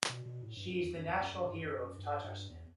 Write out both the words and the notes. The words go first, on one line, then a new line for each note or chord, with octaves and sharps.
She is the national hero of Tatarstan.
B2
B2
A2
G2
F#2
E2
F#2
E2
F#2
F#2
G2
F#2
F#2
G2
G2
E2